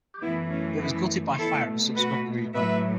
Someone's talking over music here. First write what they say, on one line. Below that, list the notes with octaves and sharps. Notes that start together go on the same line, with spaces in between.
It was gutted by fire and subsequently rebuilt.
F#2 E3 A3 B3 E4
C#4
B3 E4
B2 A3 E4 A4
F#4 B4
A2 F#3 A3 B4 E5